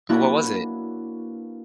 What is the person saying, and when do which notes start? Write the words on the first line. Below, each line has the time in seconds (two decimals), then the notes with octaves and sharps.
Oh, what was it?
0.09 A#3 D4 E4 F#4 B4 C#5